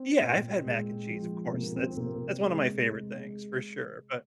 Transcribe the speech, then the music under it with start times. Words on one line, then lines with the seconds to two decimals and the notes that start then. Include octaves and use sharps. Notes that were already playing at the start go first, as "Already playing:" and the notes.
Yeah. I've had mac and cheese, of course. That's that's one of my favorite things, for sure, but
Already playing: C4
0.21 A#2
0.65 G#3
1.09 F3
1.53 C3 A#3
1.76 C4
1.97 C3 A#3
2.42 G#3
2.86 G#3